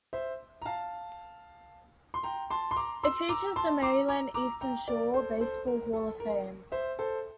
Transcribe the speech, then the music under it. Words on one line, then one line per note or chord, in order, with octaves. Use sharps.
It features the Maryland Eastern Shore Baseball Hall of Fame.
C5 E5
A#5
F5 A5
C6
G5 A#5
A5 C6
C6
A#5 D6
C6 E6
A#5 D6
A5 C6
A#5 D6
A#5 D6
A#5 D6
G5 A#5
A#4 D5
A4 C5
A4 C5
A#4
A4
A#4
C5 E5
A4 C5